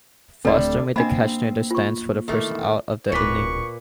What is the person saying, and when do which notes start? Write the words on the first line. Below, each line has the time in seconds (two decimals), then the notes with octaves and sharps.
Foster made the catch near the stands for the first out of the inning.
0.45 D1 D3 G3 A3 C4 A4 D5
0.96 B2 A#3 C4 D4 D#5 B5
1.71 F4 C#6
2.28 D#3 E3 A3
3.12 D1 A#2 B4 C#6 D6 B6 C#7